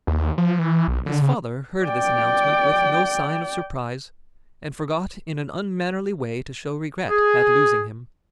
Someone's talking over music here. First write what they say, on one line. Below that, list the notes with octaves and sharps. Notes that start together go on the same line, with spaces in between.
His father heard this announcement with no sign of surprise, and forgot in an unmannerly way to show regret at losing him.
D#2
F3
E3
B1
D3
C#3
D5 G5
G#4